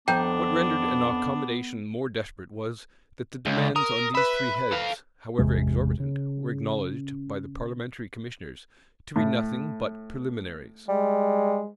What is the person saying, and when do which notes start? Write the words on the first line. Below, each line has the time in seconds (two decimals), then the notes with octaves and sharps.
What rendered an accommodation more desperate was, that the demands on these three heads, however exorbitant, were acknowledged, by the parliamentary commissioners, to be nothing but preliminaries.
0.08 F2 B3 D4 G5 A#5 G6
3.46 C#2
3.76 A#4 D#6
4.15 B4 E5 B5
4.72 A4 F5
5.38 G#1 E2 C3 G#3
6.00 C#3
9.16 A2
10.88 G3 G#3